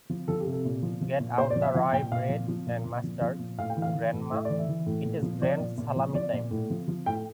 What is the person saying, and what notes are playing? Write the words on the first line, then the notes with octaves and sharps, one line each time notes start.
Get out the rye bread and mustard, Grandma, it is grand salami time!
F3
F3 A4
G4
C3
A4
A#2
F3
F3
A#2
A#2 C5
D5
F3
E5
F3 F5
A#2 G5
A#2 F5
F3
F3
A#2
A#2
F3
F3
A#2
A2 F5
G5
E3
F5
E3
A2
A2 E5
E3 D5
E5
E3
A2
A#2
F3
F3 D5
A#2
A#2
F3
F3 D5
A#2
A2
F3
F3
A2 G5